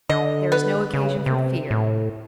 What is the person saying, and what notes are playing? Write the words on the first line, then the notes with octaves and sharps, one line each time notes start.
There is no occasion for fear.
D3 D#5
B3 B4
C#3
C3
A2